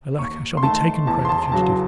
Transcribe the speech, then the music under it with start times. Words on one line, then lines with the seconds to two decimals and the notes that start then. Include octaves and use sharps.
"Alack, I shall be taken!" cried the fugitive.
0.18 D#2 C#6
0.57 C6
0.63 D#3 A3 A5
1.07 E2 A5
1.25 C6
1.29 A5
1.51 C#3 F#3 A5